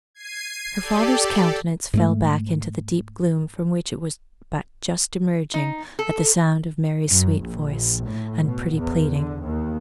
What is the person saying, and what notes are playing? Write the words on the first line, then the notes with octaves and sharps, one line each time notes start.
Her father's countenance fell back into the deep gloom from which it was but just emerging at the sound of Mary's sweet voice, and pretty pleading.
G#6 C7 D#7
G4 A4 D5
G#2 G#3 A3
D#4
A4
F#2
A#1
A2
B2
E2
D3
D#2